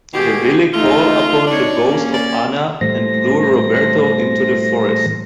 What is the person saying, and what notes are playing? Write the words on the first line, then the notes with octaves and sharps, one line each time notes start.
The Villi call upon the ghost of Anna and lure Roberto into the forest.
B2 G4 G#4
A3 D#4 F4
D4 D#4 C#5
A#3 C#4
D5
A2 E3 G3 A3 C5 A#6